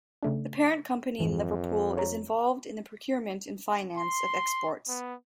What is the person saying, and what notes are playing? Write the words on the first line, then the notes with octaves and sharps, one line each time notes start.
The parent company in Liverpool is involved in the procurement and finance of exports.
C#3 A3 D4
F2 G#2 E3
C#5 A#5
C6
B3